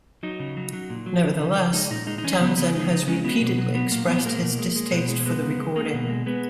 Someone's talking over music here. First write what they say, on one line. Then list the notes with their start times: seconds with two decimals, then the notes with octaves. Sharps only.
Nevertheless, Townsend has repeatedly expressed his distaste for the recording.
0.23 F#3 D#4
0.40 C#3
0.57 F#3
0.73 F#3
0.90 A#2
1.06 F#3
1.24 E3
1.40 C#3
1.57 C#3
1.73 G#3 D#4
1.90 A#2 D#4
2.07 G#3 D#4
2.18 D#4
2.23 E3 C#4
2.40 C#3 B3
2.57 C#3 B3
2.75 G#3 D#4
2.91 C#3 D#4
3.08 G#3 C#4
3.24 F#3 B3
3.41 B2
3.58 F#3
3.75 F#3 B3
3.91 A#2 A#3
4.08 F#3 B3
4.25 G#3 A#3
4.42 B2
4.59 G#3
4.76 G#3
4.92 B2
5.09 G#3
5.26 G#3 B3
5.43 C#3
5.59 G#3
5.76 G#3 A#3
5.93 B2
6.09 G#3
6.26 G#3 B3